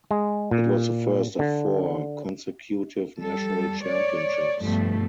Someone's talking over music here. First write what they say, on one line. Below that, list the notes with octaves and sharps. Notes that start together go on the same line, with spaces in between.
It was the first of four consecutive national championships.
G#3
A#2
D3
G3 A4
C#5 D5
G2 B2 F3 G3 A3